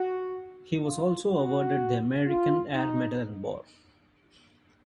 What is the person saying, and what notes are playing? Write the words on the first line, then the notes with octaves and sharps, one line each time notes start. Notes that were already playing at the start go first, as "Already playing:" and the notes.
He was also awarded the American Air Medal and Bar.
Already playing: F#4
F4
F#4
F4
D#4